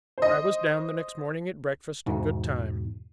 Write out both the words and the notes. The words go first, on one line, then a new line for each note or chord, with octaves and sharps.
I was down the next morning at breakfast in good time.
C5 D#5
E2 G#2 B2